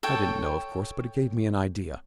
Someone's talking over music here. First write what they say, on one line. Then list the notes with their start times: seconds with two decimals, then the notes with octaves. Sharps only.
I didn't know, of course, but it gave me an idea.
0.03 A4 C#5 G5